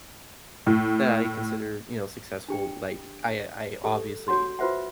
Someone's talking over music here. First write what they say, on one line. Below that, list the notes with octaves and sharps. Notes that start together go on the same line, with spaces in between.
that I consider, you know, successful, like, I I obviously
A2
D4 G4 G5
G4 A4
F#4 C#5 F#5 C6
F4 F#4 B4 C5 E5 F#5